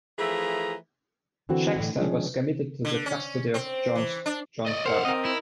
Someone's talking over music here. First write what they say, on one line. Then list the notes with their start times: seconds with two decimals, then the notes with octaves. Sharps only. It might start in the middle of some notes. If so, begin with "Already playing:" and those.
Shaxton was committed to the custody of John Clerk.
0.19 E3 F3 A3 G#4 A#5
1.49 D3 E3 C4 F#4
1.76 A2 D3 E3
1.97 D#3 F3 G#3 C#4 D4
2.85 D3
3.06 C#4
3.54 C4
3.95 E3
4.26 D4
4.66 D5 D#5
4.86 A#4 C5 F5 F#5
5.05 C4 A#4 D#5
5.25 E4